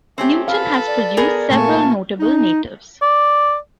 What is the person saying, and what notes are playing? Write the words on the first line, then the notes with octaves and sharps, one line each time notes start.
Newton has produced several notable natives.
A3 C4 C#4 G4
A4 B4 F5 B5
D5
B3 G#4 A#4
A#2 A3 A#3 G#5 A5 C#6
D#4
D5